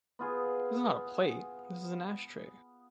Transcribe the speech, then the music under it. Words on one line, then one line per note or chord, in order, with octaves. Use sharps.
This is not a plate! This is an ashtray.
B3 F4 G#4